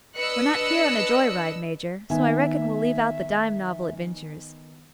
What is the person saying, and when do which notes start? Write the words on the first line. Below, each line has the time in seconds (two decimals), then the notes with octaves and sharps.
We're not here on a joy-ride, Major, so I reckon we'll leave out the dime-novel adventures.
0.17 D4 B4 D#5 E6 F#6 C#7
2.10 D#3 B3 E5 G#5